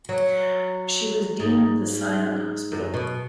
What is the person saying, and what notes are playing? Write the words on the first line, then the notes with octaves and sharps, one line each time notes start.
She was dean of the Sion hospital.
F#3
G#2
F#2
B2